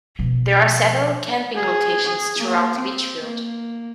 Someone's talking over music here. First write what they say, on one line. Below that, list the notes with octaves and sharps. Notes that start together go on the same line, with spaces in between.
There are several camping locations throughout Litchfield.
B2 F3
G#4
G#4
A#3
C4
A#3